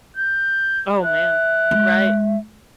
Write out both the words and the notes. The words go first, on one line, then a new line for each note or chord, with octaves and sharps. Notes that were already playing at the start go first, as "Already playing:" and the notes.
Oh, man. Right.
G6
E5 F#6
G#3